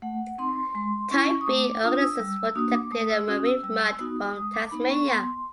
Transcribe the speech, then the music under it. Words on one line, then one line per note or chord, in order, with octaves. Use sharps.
Type-B organisms were detected in marine mud from Tasmania.
A3 F#5
C4 D#4 C6
G#3 C6
C#4 E4 C#6
D#6
A3 D6
D6
D4 F4 D#6
D#6
E6
G3 E6
E6
A#3 D4 F#4 D#6
D6
A3 D#6
E6
C#4 F#4 D#6
E6
G3 E6
B3 D#4 F#4 D#6
G#3 D#6
D6
B3 D#4 B5
C#6
B3 C6